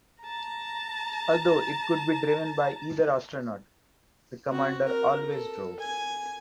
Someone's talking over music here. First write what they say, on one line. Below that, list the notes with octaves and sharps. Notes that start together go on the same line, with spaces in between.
Although it could be driven by either astronaut, the Commander always drove.
A5 A#5
C4 F#4
A#4
A4
G#5